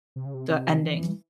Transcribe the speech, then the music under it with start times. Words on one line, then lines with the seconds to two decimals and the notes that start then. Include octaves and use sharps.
the ending.
0.16 C3
0.26 C#3
0.34 C3
0.50 C3
0.83 E3